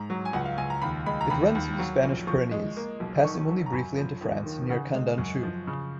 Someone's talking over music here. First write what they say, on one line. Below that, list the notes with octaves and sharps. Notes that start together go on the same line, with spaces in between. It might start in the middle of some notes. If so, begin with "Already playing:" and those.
It runs through the Spanish Pyrenees, passing only briefly into France near Candanchu.
Already playing: G#2 A#5
F#3
G#5
C#2 F#5
F5
C#2 G#5
A#5
D#2 B5
G#3 B5
A#5
D#2 B5
D#2
F#3
A#1
F3 C#6
G#3
A#3
B1
D#3 C#6
F#3
A#5
F#2 B5
F3
D#2
D#3
C#3 F#5
G#3
F#2
F3
C#3